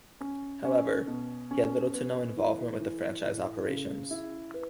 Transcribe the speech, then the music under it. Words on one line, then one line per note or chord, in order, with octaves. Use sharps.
However, he had little to no involvement with franchise operations.
C#4
C#4
B2
C#4
B3
E3
E3
A2
C#3
E4
B4